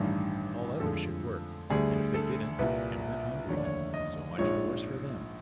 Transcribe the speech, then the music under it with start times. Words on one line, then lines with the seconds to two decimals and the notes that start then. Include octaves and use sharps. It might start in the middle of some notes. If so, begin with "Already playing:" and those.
All others should work, and if they didn't, and went hungry, so much the worse for them.
Already playing: A1 G2 D#3 G3
0.80 F2 D3 F3 G#3 A4
1.70 D2 D3 G3 G#4
2.14 A4
2.59 C2 A#2 G3 B4
3.48 F1 D#2 D3 C#5
3.57 D5
3.65 C#5
3.94 D#5
4.38 A#1 G#2 F3 C#5